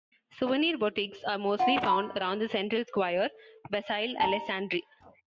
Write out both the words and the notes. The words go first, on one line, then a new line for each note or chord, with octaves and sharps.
Souvenir boutiques are mostly found around the central square Vasile Alecsandri.
F4 F#5
G2 G3
A5 A#5